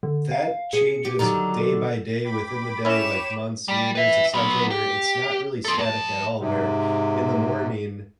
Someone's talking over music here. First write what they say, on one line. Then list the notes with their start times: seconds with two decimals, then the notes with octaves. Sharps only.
that changes day by day, within the day, like, months, years, etcetera, where it's not really static at all, where in the morning,
0.03 D3
0.31 F5
0.73 G#4 C#7
1.05 G4
1.19 D3 D#3 F#3 A#5
1.59 A4
2.25 G5 B5 D6
2.85 C#4 E4 C#5 E7
3.68 G3
3.95 B4 E5
4.34 F#3 B3
4.70 G4
5.65 C4 A4
5.78 F2 A5
6.40 G#2 C3